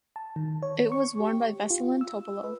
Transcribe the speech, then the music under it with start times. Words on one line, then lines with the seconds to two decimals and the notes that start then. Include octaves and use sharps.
It was won by Veselin Topalov.
0.16 A5
0.36 D#3
0.63 C#5
0.92 C#6
1.20 G4
1.70 F4
2.01 E6
2.44 B4